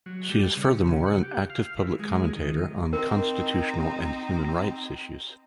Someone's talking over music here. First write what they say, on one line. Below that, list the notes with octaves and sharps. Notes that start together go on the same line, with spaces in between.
She is furthermore an active public commentator on constitutional and human rights issues.
F#3
G3
C#3
C#3
F#5
G4
F5
E3
G#3
D#3
C4 D#4 A#4